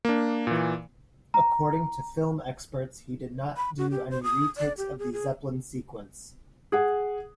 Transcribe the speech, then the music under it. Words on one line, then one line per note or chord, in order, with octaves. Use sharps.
According to film experts, he did not do any retakes of the Zeppelin sequence.
A#3 D4
A#2 E3
A#5
B5
F#4
G4
C5
D#6
D5
G4
G#4
G#4
G#4 F#5